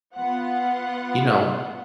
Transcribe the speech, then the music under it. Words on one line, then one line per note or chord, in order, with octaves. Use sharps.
you know,
B3 F4 F#5